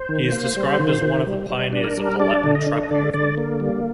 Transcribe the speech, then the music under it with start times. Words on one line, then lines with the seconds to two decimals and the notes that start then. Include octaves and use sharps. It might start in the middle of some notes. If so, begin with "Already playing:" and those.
He is described as one of the pioneers of the Latin trap movement.
Already playing: C5
0.09 D#3
0.32 A#3
0.57 G3
0.80 D#3
1.02 D#3
1.26 G3
1.50 G3
1.73 D4
1.84 A#4
1.97 G3
2.19 D4 D5
2.44 D3
2.55 D#5
2.67 D4
2.83 D#5
2.91 D3 D5
3.14 D3 D5
3.38 A#3
3.60 G3